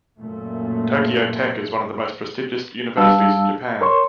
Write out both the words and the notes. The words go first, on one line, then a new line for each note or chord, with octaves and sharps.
Tokyo Tech is one of the most prestigious universities in Japan.
F#2 A#2 A3
G3 D4 F5 A5 E6
A#4 C#5 C6 C#6